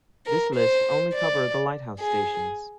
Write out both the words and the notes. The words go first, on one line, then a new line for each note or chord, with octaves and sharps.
This list only cover the lighthouse stations.
A#4
C5
D5
G#4